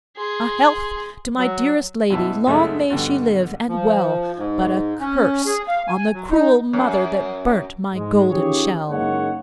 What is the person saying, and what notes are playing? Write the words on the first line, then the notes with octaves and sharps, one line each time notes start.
'A health to my dearest lady, Long may she live and well! But a curse on the cruel mother That burnt my golden shell!'
G#4 C6
F#3
F#2 B2 E4 A5
C#2 F#2 G#3 A3 E5
G2 B2 D3
F3
G#2
C#4
G#4
F5
G#5
F#3
D#4
F#2
G#2 G#3
D#3 C#4 F4 G4 G#4 C#5
F#1 G#3 A#3 D#4 C#5 F#5